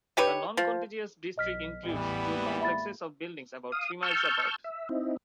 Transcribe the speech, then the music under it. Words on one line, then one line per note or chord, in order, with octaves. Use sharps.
The noncontiguous district includes two complexes of buildings about three miles apart.
D#4 G4 B4 C#5
F3
B1 D#5 F6 B6
A1 E2 E3 G3 B3
G#3 A#3
E5 B5 A6
F5 D#6
A5 C#6 E6 F6 G6
E5
C4 D#4 E4